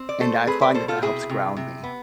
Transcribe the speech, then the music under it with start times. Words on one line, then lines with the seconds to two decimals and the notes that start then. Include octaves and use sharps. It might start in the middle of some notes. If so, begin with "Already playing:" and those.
And I find that that helps ground me.
Already playing: C4
0.09 D5
0.21 A3 A4 C5
0.47 C4 G#4 B4
0.61 B4 D5
0.74 B2 A4 C5
0.88 F4 A4
1.02 C3 E4 G#4
1.30 C3
1.57 C3
1.84 B3